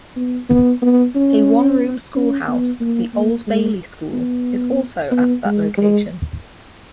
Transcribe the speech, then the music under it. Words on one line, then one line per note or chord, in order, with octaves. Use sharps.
A one-room schoolhouse, the Old Bailey School, is also at that location.
B3
B3
B3
C#4
C#4
B3
A#3
A#3
G#3
B3
B3
G#3
G#3